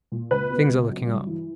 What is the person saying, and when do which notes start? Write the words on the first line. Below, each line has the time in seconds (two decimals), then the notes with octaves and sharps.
Things are looking up.
0.12 A#2
0.31 C#2 B4
0.50 B2
0.69 C#2
0.89 F#3
1.08 G2
1.27 E3